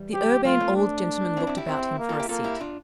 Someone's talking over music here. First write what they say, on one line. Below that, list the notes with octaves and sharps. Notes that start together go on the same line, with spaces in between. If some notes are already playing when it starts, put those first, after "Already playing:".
The Urbane Old Gentleman looked about him for a seat.
Already playing: E3 G3
G4
F3 A3 F4
A3 C4
D4
C4 E4
C4 E4
E4 G4
C4
A#3
F4 A4
E4 G4
A#3 F4 A4
E4 G4
D4 F4